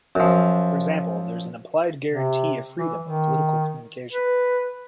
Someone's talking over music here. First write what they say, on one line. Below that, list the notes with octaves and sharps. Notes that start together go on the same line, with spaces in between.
For example, there is an implied guarantee of freedom of political communication.
F#2 F3
C3
E3
D#3
B4